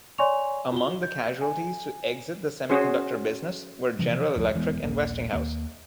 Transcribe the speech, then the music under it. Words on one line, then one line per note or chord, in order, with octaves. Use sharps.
Among the casualties to exit the semiconductor business were General Electric and Westinghouse.
C#5 D5 G#5 C6 C#6 F7
F4 F#4 G7
G6
G#5
C#4 F#4 G#4 C5
C3 E3 F3
F#1 D2 F3 A3
E1 E3 G#3 B3
D#1 A#1 A#3 D4
D#2 A#3